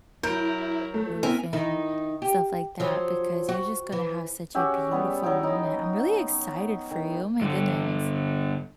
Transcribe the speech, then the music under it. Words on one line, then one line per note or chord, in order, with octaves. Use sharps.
waterproof and, stuff like that, because you're just gonna have such a beautiful moment. I'm really excited for you. Oh my goodness.
F#3 E4 A#4 G6 D7
A3
B3 C4 E4 A#4 E5 G#5
D#3 D#4 E4
G4
F3 F#3
F#4
E3
C#4 F#4 G4 E5
G3 B3 G#5
F#3 E4 E5 G5
D#4
D#3
G2 D3